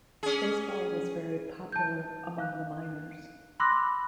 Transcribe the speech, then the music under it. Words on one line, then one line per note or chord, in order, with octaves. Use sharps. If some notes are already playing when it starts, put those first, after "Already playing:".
Baseball was very popular among the miners.
C#4 G#4
A5 G6
F5 F#6
B5 C6 D6 E6 F#6 A#6